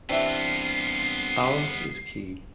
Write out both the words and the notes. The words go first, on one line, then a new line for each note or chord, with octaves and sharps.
Balance is key.
C2 E3 B3 C4 D4 F4 E5 C7